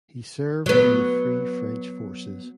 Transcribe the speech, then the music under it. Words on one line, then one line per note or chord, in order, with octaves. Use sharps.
He served in the Free French Forces.
F#3 B3